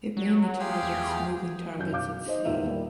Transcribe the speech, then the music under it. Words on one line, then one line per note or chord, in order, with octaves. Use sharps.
It mainly targets moving targets at sea.
F#3
F4 G4 G#4
E2
F#2 G6
B1 F5 D6 G6
D#4 C5 D#5
D#1 E2 G#2 A#3 F4 E5
G3 A#3